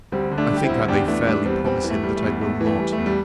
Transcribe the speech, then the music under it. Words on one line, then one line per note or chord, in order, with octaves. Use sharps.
I think I may fairly promise him that I will not.
D2 G3 C4
D3
A3 D4
G3
G4
C4 E4
D2
E2 D4 G4
E3 A3 D4
G3 A3 D4
E2 G3 C4
E2 G3 C4
E3
A3
G3
A3
E2
E2 A3
E3
A3
G3
A3
E2
G3